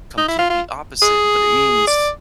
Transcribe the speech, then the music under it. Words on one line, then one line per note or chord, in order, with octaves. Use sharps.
completely opposite, but it means
D#4
E4
F4
F4
G#4
D5